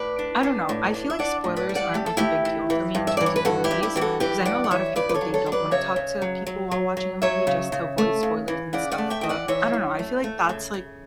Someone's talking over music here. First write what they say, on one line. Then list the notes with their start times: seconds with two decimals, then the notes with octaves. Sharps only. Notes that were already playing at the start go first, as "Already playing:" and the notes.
I don't know, I feel like spoilers aren't, like, a big deal for me in terms of movies, 'cause I know a lot of people, they don't wanna talk to people while watching a movie just to avoid spoilers and stuff, but I don't know. I feel like that's like,
Already playing: A2 B4 D5
0.19 D4
0.43 D4
0.69 A2
0.94 D4
1.10 E5
1.19 D4 D5 F#5
1.44 A2
1.56 B4 D5
1.69 G3
1.75 D5 F#5
1.94 A3 G4
2.06 A4
2.17 A3 E4 G4
2.45 E3
2.70 E3
2.95 G2
3.07 E5
3.17 E3 D5
3.26 C#5
3.36 B4
3.45 G2 F#4 A4
3.64 E4 G4
3.71 G2
3.83 E4 G4
3.96 E3 G4
4.01 F#4 A4
4.20 E3 G4 B4
4.45 G2 D5 F#5
4.64 F#5
4.71 E3 C#5 E5
4.96 C#3 B4 D5
5.09 B4
5.14 A4 C#5
5.21 F#3
5.34 A4 C#5
5.46 F#3
5.52 B4 D5
5.71 C#3 C#5 E5
5.96 C#3
6.22 F#3
6.47 F#3
6.71 F#3
6.97 F#3
7.22 F#3 C#5 E5
7.47 C#3
7.72 C#3
7.98 A3
8.23 C#3
8.48 E3
8.73 C#3 D5 F#5
8.91 D5 F#5
8.98 A3
9.10 E5 G5
9.21 E3 G5
9.29 D5 F#5
9.48 E3 C#5 E5
9.73 F#2
9.99 A3
10.24 A3
10.49 C#3
10.74 C#3